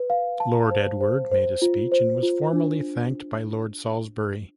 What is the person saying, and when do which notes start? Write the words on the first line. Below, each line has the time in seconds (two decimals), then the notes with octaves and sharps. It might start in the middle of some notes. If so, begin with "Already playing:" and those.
Lord Edward made a speech, and was formally thanked by Lord Salisbury.
Already playing: B4
0.10 F5
0.40 A5
0.71 C5
1.01 C5
1.31 C5
1.62 F4
1.92 C5
2.23 F4
2.53 D4